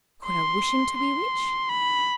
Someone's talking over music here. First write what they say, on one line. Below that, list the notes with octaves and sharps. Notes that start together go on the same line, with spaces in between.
Could I wish him to be rich?
C6
C6
B5